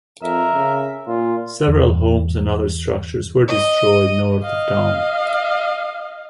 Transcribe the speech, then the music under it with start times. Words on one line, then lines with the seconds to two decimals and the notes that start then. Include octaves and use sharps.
Several homes and other structures were destroyed north of town.
0.23 F2 A#4 E5
0.54 C#3
1.07 A#2 F4
1.68 E2
3.48 D#5
4.43 D#5 F5